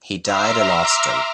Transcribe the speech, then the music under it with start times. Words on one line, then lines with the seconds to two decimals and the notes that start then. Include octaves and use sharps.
He died in Austin.
0.24 E5 A#5 C6 D6 E6 F6